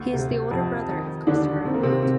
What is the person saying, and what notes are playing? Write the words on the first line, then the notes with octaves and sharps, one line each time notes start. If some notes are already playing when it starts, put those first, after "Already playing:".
He is the older brother of Christopher Amott.
Already playing: D2
C3
F2
D#3 D#4
D#2 D3 D4
D#3 C4
A#3
C3 C4
C3 C4